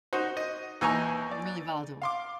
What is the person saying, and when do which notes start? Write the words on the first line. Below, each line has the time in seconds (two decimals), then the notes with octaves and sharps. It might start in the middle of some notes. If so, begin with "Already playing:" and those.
really volatile.
0.13 D#4 F#4 C5
0.37 D#5
0.81 D#2 E3 D#4 G#5 A#5 C#6
1.31 D5
2.02 F5 C6 D6